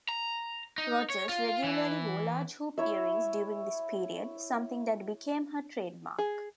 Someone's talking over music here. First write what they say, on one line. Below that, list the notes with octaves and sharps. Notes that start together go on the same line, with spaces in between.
Rogers regularly wore large hoop earrings during this period, something that became her trademark.
A#5
D#4
C#5
F4
E3
E4 C#5 E5
G#4